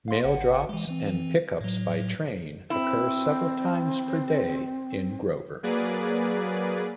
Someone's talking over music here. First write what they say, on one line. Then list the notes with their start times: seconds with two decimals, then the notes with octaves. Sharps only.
Mail drops and pickups by train occurred several times per day in Grover.
0.08 F5 C6
0.25 G#1 F#5
0.69 E3 G#3
0.87 E3 C4
1.61 A2 F#3
2.70 C4 E4
5.63 F#3 A#3 G#4 B4 D5